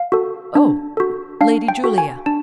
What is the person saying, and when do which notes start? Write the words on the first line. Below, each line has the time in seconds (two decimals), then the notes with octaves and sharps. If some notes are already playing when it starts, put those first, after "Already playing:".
"Oh, Lady Julia!"
Already playing: F5
0.12 F#4 A4
0.55 D4
0.97 F#4 A4
1.41 D4 F5
1.68 G5
1.84 F#4 A4
1.98 G#5
2.26 D4 A5